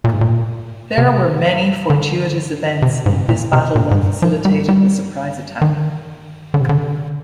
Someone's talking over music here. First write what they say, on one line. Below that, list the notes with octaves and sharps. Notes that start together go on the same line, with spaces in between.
There were many fortuitous events in this battle that facilitated the surprise attack.
A#2
G#2
A#2
C3
D3
C3
G#2
A#2
C3
A#2
G#2
G2
F3
G3
G3
D#3
D3
C3
D3